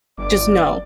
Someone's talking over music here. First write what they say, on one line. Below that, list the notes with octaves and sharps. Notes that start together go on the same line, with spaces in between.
Just, no.
G1 D5 D6